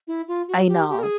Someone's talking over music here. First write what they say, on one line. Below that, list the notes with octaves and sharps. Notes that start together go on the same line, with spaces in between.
I know.
E4
F4
F#4
G4
G4
A#4
G#4